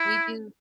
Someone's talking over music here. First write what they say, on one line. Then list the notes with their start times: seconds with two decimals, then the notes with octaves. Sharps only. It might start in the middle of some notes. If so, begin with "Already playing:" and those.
We do
Already playing: E4